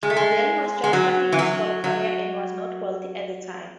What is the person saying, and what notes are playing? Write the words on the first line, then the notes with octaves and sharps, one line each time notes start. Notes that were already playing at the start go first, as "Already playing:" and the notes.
Daly was just starting his golf career and was not wealthy at the time.
G#3
A3
G#3
G#3
F#3
E3
F#3
F#3